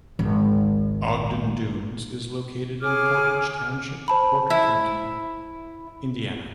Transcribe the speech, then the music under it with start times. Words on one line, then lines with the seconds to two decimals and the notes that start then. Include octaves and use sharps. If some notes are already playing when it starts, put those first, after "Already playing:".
Ogden Dunes is located in Portage Township, Porter County, Indiana.
0.19 G#1 C#2
2.81 G#4 C#5 D6 F6
4.08 C5 A5 B5
4.50 E4